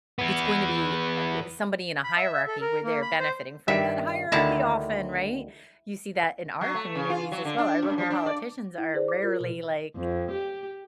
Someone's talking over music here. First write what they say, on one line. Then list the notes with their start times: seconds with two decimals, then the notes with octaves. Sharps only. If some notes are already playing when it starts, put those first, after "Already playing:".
it's going to be, uh, somebody in a hierarchy where they're benefiting from that hierarchy often, right? You see that in our communities as well. Our local politicians are rarely like
0.19 E3 B3
2.04 B5
2.17 E5
2.33 E5
2.48 A4
2.62 A#4
2.84 A#3
3.02 B5
3.20 C5
3.68 G2 D#3 G3 E5
4.32 D2 D3 D#3 E4 A5 A#5
6.61 F#3
6.75 A3
6.95 C#3
7.10 F4
7.32 F#3
7.45 D3
7.58 D4
7.82 F#2
7.98 F3
8.10 D4
8.26 D5
8.78 E4
8.94 G#4 B4 C5 D5
9.08 D6
9.23 F4 A#4
9.40 B2 F3
9.96 F2
10.31 G4